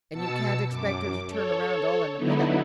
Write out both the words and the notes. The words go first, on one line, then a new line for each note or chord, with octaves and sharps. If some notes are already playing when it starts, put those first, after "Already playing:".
And you can't expect her to turn round all in a minute.
B2 A5 E6 C#7
F#2 D6
A4 C#5
D3 F#3 B3 D#4 E4